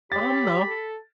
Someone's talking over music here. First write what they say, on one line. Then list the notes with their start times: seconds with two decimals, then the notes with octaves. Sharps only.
Um, no,
0.12 G4 C#5 B5 A6
0.67 A4